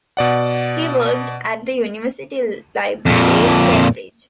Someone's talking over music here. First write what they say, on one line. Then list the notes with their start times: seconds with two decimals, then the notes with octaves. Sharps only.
He worked at the University Library, Cambridge.
0.17 B2 D5 F#5
3.06 F2 A#2